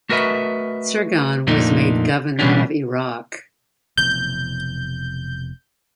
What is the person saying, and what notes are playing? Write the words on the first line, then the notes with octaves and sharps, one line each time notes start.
Surgan was made governor of Iraq.
A3 F#4 A#4 B4 D#5 E5
F2 A#2 A3 A#3 D4 D#4
B2 D3 E3 G3 C#4 D4
F1 B2 E3 G6